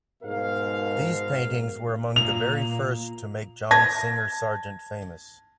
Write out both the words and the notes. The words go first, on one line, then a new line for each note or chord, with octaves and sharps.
These paintings were among the very first to make John Singer Sargent famous.
G#2 B2 A#4 F5
A#2 A#3 F7
A5 G#6 A#6